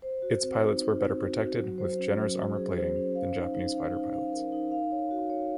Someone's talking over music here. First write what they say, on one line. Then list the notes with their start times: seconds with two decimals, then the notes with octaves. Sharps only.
Its pilots were better protected, with generous armour plating, than Japanese fighter pilots.
0.02 C5
0.22 F#4
0.42 C4
0.61 D#4
0.81 D#4
1.00 C4
1.20 F#4
1.39 F#4
1.59 F#3
1.78 C5
1.98 C#4
2.17 F#3
2.37 C5
2.57 G#4
2.76 C5
2.96 C#4
3.15 F5
3.35 D#4
3.54 D#4
3.73 F5
3.93 D#4
4.13 F5
4.32 A#4
4.52 D#4
4.71 F5
4.91 C#5
5.11 F#4
5.30 C#5